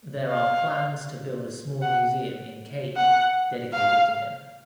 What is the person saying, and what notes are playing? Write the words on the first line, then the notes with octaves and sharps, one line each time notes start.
There are plans to build a small museum in Cayey dedicated to him.
F5
F#5
F#5
F5